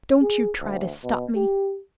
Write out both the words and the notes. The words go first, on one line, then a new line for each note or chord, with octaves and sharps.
Don't you try to stop me!
G#4
D2
B2
G4